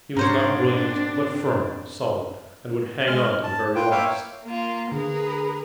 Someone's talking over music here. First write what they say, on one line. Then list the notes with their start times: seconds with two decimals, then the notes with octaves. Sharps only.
He was not brilliant, but firm, solid, and would hang on to the very last.
0.16 G#2 C4 D4 A#4 C5 C#5
3.07 G#3 F6
3.44 A5
3.75 F4 B4 G5
3.91 A#3 C#5 E5 F5 G5
4.43 A#3 F4
4.92 D3 G#4 A#4 B4